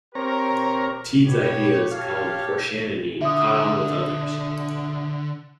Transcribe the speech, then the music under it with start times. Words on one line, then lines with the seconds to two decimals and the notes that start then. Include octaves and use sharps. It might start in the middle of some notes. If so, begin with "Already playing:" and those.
Teed's ideas, called Koreshanity, caught on with others.
0.15 C4 G4 A#4 C#5 A#5
1.28 B2 G4 C#5
1.91 G4 A4 C#5 F5
3.21 D3 E5 D#6